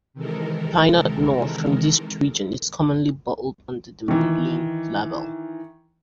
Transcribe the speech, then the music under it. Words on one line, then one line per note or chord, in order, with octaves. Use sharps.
Pinot noir from this region is commonly bottled under the "Morillon" label.
C3 D#3 E3 G#3 A4 A#4
D#3 E3